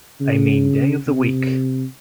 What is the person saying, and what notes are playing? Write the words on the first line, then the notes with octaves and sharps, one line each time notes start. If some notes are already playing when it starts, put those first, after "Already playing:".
I mean day of the week.
C#3
C3